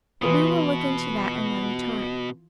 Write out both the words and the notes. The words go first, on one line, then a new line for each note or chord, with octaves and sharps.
But we will look into that another time.
B2 E3 F4 D#6